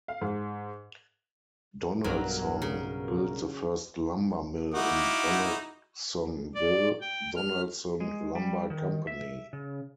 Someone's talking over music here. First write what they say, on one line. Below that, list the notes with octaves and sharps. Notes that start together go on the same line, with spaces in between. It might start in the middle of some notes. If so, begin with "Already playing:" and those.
Donalson built the first lumber mill in Donalsonville, Donalson Lumber Company.
F5
G#2
B1 G2 F#3 A#4
C#3
D#4 E4 F#4 F5 F#5 D6
D5
G5
F6
G#3
G3
D#3
E5
C#3